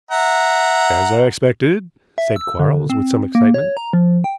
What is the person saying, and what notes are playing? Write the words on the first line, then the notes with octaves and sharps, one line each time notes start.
"As I expected," said Quarles, with some excitement.
E5 F#5 A#5
E5
E6
D3
C4
A#3
C#5
A#5
F3
G5